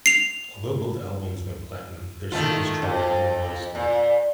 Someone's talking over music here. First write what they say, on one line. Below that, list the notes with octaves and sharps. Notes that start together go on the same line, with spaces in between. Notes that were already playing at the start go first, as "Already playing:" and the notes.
Although both albums went platinum, their singles charted only modestly.
C7 F7
D#3 A3 F4
F2
A#2